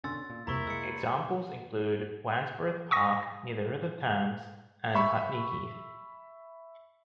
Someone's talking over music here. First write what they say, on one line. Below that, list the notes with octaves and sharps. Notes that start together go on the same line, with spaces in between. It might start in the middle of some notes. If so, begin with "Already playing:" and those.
Examples include Wandsworth Park near the River Thames and Putney Heath.
B2 D3 C#4 C6 E6 A6
A#2
C2 F2 C3 A#3 E4 A#5 B5 C#6
G#3 A#3 E6 C#7
C#6 D#6 A#6
E5 B5 C#6